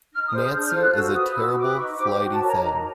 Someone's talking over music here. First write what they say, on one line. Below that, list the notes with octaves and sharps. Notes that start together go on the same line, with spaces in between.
Nancy is a terrible flighty thing.
D#4 F6
D#6
G#4 C5
F6
D4 G6
F6
F4 A4 C5
F#6
F#4 E6
B4 D#6
F#4 E6
B4 D6
D#4 C#6
G4 C5 D6
F#4
A5
A#4 C#5
A#5
D#4 A#5